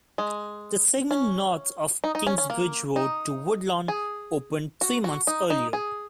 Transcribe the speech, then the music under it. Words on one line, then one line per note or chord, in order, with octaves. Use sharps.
The segment north of Kingsbridge Road to Woodlawn opened three months earlier.
G#3
C#4
D#4
D#4
C#4
C#4
A#3
D#4
G#4
F#4
F#4
D#4
D#4
G#4